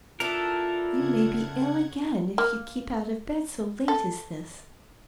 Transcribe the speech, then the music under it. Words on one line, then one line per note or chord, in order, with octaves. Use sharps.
You may be ill again if you keep out of bed so late as this.
B3 D4 E4 F4 A4 A#4
C#3 F#5 G#6
A#3
A4